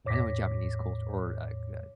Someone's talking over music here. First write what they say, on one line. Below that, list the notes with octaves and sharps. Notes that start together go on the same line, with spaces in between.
I know in Japanese culture or, like, uh
E2 A2 C#5 D6 A#6 B6